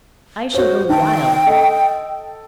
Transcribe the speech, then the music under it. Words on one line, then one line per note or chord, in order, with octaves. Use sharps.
I shall go wild!
F#4 C5 C#5
D#3 G5 A5
A4 D#5